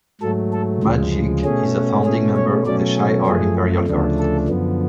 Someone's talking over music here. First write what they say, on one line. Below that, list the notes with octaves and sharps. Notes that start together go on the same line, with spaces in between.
Magique is a founding member of the Shi'ar Imperial Guard.
G#2 F#3 A3 A4
A4
D2 C#3 F3 G#3
B2 A3 C#4 G#4
B2 A3 C#4 G#4
C#5
B2 F#3 A3 C#4 D5
G#4
F#2 F3 A3 G#4
D2 C#3 F3 A3 D4
A4
F#2 D3 F3 B3